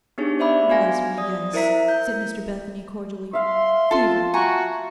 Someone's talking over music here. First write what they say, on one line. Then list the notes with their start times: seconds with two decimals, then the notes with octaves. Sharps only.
'Bless me, yes,' said Mr Bethany cordially--'fever.
0.18 B3 D4 D#4 G4 G#4 C#5
0.39 C5 D5 E5 B5 D6
0.69 B3 F#4 F5 G#5 A#6
1.18 D5 D#6
1.53 E4 A#4 C5 E5 A#5 B6
1.88 G6
3.33 E5 F5 C6
3.91 F4 A4 A5 C6
4.34 F#4 G#5 A#5 C#6